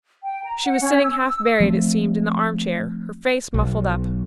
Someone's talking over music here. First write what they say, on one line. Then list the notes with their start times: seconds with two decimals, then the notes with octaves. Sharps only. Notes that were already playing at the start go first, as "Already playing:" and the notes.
She was sitting half buried, it seemed, in the arm-chair, her face muffled up.
0.23 G5
0.44 A#5
0.62 F#5
0.81 C#4
1.00 E6
1.24 E6
1.60 F3 A3 C4
3.54 B1